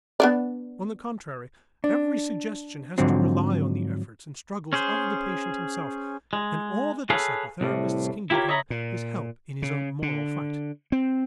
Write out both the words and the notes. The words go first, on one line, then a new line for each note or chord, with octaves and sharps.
On the contrary, every suggestion has to rely on the efforts and struggles of the patient himself and all that the psychotherapists can give him is help in his own moral fight.
B3 D4 D5
D4
G#2 D3 F3 F#3 C4
C#4 G#4 C5
G#3
G#4 A4 B4 C#5 F5
C2 A2
E4 F4 G4 A#4 C#5
C#5 D#5 E5 A#5 B5
A#2
C#3
D3
C4